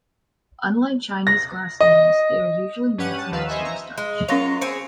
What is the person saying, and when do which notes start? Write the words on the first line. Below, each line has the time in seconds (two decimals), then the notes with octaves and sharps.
Unlike Chinese glass noodles, they are usually made from potato starch.
1.27 A#6
1.81 D#5
2.98 G2 C#4 G4 B4 F#5 D#7
3.18 A5
3.31 D#2 D#3 F3 B4 F5 E6
3.48 C5 D#5 E5 G#5 C#6
3.65 A#5
3.98 G#3
4.28 F#3 C#4 F4 C#5 A#6 F7
4.61 C4 G#4 C#7